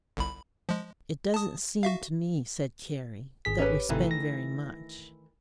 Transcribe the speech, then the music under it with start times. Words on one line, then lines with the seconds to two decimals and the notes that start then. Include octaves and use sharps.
"It doesn't seem to me," said Carrie, "that we spend very much."
0.17 G1 C2 B5
0.69 F3 G#3
1.34 A5 D#6
1.83 F#4 E5 F5
3.45 G#1 G#4 B6
3.59 C#4 G4 B4
3.89 G#1 C3 D#3 E3 A3 E4
4.11 A#6